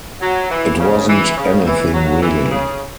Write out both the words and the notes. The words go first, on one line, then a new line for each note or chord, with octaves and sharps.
It wasn't anything really.
F#3
E3
C#3
E3
C#3
E3
F#3
E3
C#3